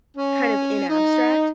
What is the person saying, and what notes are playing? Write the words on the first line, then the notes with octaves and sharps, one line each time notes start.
kind of in abstract.
C#4
D#4